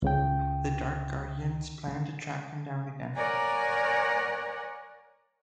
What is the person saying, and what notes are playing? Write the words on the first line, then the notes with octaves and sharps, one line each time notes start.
The Dark Guardians plan to track him down again.
C#2 C#3 G5
A#4 C#5 D5 F#5 G#5 A#5